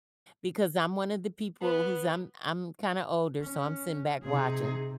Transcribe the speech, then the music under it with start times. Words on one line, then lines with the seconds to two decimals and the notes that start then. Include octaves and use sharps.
because I'm one of the people who's I'm I'm kinda older, so I'm sitting back watching,
1.61 B3
3.42 C#4
4.24 C3 D#4 G#4